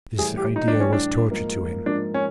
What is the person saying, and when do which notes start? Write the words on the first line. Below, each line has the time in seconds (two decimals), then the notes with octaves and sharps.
This idea was torture to him.
0.18 A2 E3 G3 G#4
0.37 G4
0.56 D#4
0.68 D4
0.74 A2 E3 G3
0.80 C#4
0.93 D4
1.31 G#2 F3 A#3
1.86 G#2 F3 A#3 D4
2.14 C#4